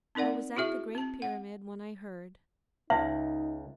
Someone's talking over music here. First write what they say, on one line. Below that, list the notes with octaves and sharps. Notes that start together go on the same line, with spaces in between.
I was at the Great Pyramid when I heard.
C4 D#4 A#4 D5 F#5
E4 F#4 G#4 E5
C4 A5
F#5
C#2 D#4 E5